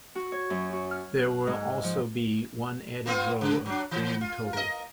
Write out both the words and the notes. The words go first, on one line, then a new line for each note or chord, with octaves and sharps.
There will also be one added row of "Grand Total".
F#4
C#5
F#2
F#4
F6
F#6
G#2
F3
A#3 B3 F4
C#3
F#3 D4
E3
F4
A#4 D#5